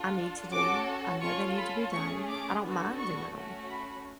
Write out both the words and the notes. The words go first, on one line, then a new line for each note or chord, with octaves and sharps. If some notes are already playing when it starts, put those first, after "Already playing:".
I need to do, I know they need to be done, I don't mind doing 'em,
Already playing: D4 F4 A4
C#4 F#4 A4 D6
C#4 F4 A4 C#6
B5
A3 C#4 G#4 C#6
D6
B3 D4 F#4 A4
C#6
A3 C#4 F#4
B5